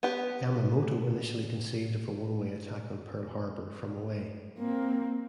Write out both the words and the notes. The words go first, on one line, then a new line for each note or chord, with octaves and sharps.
Yamamoto initially conceived of a one-way attack on Pearl Harbor from away.
B3 G4
A#3 C4